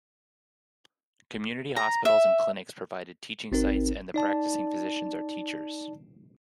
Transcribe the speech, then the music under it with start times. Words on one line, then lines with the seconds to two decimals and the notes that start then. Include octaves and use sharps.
Community hospitals and clinics provide teaching sites and the practicing physicians are teachers.
1.76 A#5
2.05 E5
3.52 G#1 C4 D#4 A#4
4.14 D#4 D5 A5